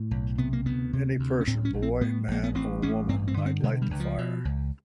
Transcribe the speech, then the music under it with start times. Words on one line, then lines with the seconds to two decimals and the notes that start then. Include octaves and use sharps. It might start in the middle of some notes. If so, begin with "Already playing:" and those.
Any person, boy, man, or woman, might light the fire.
Already playing: A2
0.11 B1
0.38 C3 B3
0.53 A#3
0.65 D2 B3
0.93 C3
1.20 D2
1.41 C#4
1.47 A2 C4
1.65 C#4
1.74 A#1
1.82 C4
2.01 A2 B3
2.28 A#1 A#3
2.44 B3
2.55 A1 C4
2.82 A1 C#4
3.09 G2 C4
3.28 C4
3.37 D3
3.46 C4
3.63 B2 G#3
3.82 G3
3.91 C#2
4.00 F3
4.18 B2
4.45 C#2